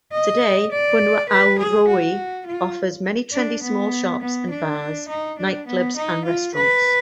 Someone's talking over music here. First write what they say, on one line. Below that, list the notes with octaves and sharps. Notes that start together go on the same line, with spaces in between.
Today Punavuori offers many trendy small shops and bars, nightclubs and restaurants.
D#5
D5
B4
G#4
F#4
F4
D4
B3
B3
D4
D#4
D4
B3
D#4
F4
B4